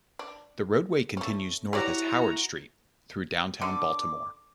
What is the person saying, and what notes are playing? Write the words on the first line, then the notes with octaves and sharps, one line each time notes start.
The roadway continues north as Howard Street through downtown Baltimore.
D4
A3 C#4
E4 F#4 G4 C#5 D5 A#5
D3 D6